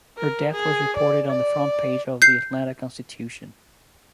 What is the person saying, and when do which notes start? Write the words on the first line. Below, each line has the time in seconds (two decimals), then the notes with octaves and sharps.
Her death was reported on the front page of "The Atlanta Constitution".
0.18 A#4
0.52 G#4
0.97 D5
1.28 D5
2.22 G6 C7